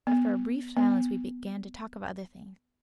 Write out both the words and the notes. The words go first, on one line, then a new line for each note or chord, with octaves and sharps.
After a brief silence we began to talk of other things.
B3
B3